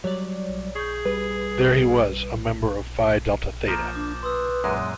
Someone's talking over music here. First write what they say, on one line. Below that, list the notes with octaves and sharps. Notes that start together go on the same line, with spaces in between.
There he was a member of Phi Delta Theta.
F#3 G3 C#5 D5
G#4 C#6 G6
G3 B4
F3 A#3 A#5 G6 A6 E7
D4 D6
B4 C6 D#6 E6
F#2 A#2 G#3 F#6 D#7